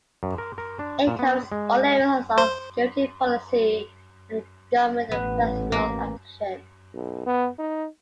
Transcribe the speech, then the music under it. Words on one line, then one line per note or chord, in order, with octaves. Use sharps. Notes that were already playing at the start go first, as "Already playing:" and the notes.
It covers all areas of security policy and government and personal action.
F#2
A#4
A#4
D4
A#2
B3
G#3
C5
A1 B3
A#3
B1
B3
D#4